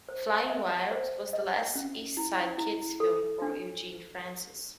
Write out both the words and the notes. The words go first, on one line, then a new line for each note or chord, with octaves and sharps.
"Flying Wild" was last East Side Kids film for Eugene Francis.
C5
E5
C5
D#5
C#4
E4
E4
A4
D4